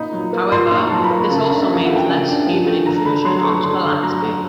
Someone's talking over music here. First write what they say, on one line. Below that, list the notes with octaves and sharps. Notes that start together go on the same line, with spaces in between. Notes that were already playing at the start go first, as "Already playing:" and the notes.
However, this also means less human intrusion onto the landscape.
Already playing: A#2 D#4 B5
F#3
A#3
A#2 C6
D#4
C#6
A5
F#3 A#5
B5
A#3
C#3 A5
D4
E5
F3 F5
A3 F#5
G5
C#3 G#5
D4
F3
A3
D3 A#5
D3 B5
F#3 C6
A3 C#6
D3 C6
D3
F#3 A#5
A3